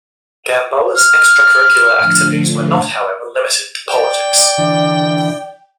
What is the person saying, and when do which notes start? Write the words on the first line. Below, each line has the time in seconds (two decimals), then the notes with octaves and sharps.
Gamboa's extracurricular activities were not, however, limited to politics.
0.95 F6
1.43 B5 D6
1.98 A2 D3 F3
3.89 D5 G5
4.58 D3 E3